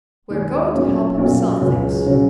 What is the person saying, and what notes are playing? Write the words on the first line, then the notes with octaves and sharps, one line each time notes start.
"We're going to help him sell things."
D#2 D#3 G#3
B1 A#2 F#3 C#4
B1 A#2 F#3 C#4
C#2 C#3 F#3 C#4
C#3 F#3 C#4